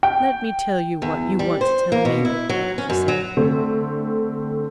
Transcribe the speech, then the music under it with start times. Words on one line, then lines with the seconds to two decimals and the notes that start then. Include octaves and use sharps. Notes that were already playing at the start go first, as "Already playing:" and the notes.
"Let me tell you what you want to tell me," she said.
0.03 G5
1.02 E2
1.39 G3
1.61 C5
1.92 A#3
2.05 B2
2.25 E4
2.49 F#3
2.78 C#4
2.90 F#2
3.08 F#3
3.37 D3 A3 C4